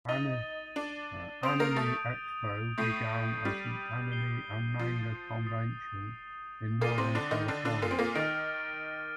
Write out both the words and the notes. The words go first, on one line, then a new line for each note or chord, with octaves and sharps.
Anime Expo began as an anime and manga convention in Northern California.
D#4 D#5 A6 D#7 G7
D4 D5
C4 C5 D#6 G6 D7 F7
A#3 A#4
A3 A4
A2 A3 G6 C7 D#7
G3
G6 C7 G7
F3
D#6 A6 C7
A#2 A#3 D6 A6 D#7 G7
C3 C4
D3 D4
D#3 D#4
D3 D4
D3 D4
A#2 A#3
C4
A#2 A#3
D#3 D#4 F6 A6 D7